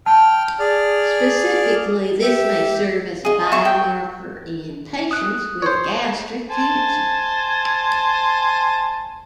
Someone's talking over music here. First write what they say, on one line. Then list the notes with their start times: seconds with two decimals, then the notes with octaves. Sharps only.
Specifically, this may serve as a biomarker in patients with gastric cancer.
0.06 G5 A5 F6
0.59 G#4 D5 F6
2.22 G4 E5
3.25 G#4 D#5
3.52 E5 C#6
3.65 G5
5.11 D#6 F#6
5.62 C5 C#5
6.50 C5 G#5 A5